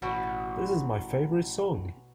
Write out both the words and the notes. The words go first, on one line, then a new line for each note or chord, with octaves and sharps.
This is my favorite song!
A1 B2